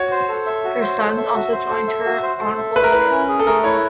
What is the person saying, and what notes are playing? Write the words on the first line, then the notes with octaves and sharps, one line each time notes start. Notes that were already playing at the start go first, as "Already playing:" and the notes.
Her sons also joined her on Wolf It.
Already playing: F#4 C#5
C5
A4
E5
F#4
C5
A4
E5
F#4
C5
A4
E5
F#4
C5
A4
E5
A3 B4
A#4
E4 B4
C#4
G#4
A4
A3 A#4
E4 C#5